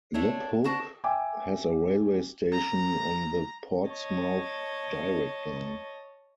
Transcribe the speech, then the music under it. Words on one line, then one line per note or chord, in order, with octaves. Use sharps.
Liphook has a railway station, on the Portsmouth Direct Line.
A3 C4 D4 C#5
D4 F#4 C5 A5
E5 G5 G#5 D6
A#5
C#5 D#5 A5